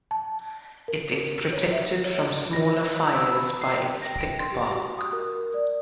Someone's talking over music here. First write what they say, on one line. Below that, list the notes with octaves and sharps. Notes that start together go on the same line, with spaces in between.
It is protected from smaller fires by its thick bark.
A5
A#4
C#5
E5
C#5
A#6
E6
B5
C7
G5
A#6
D7
C6
G4
F#4
D#6
A#4
D5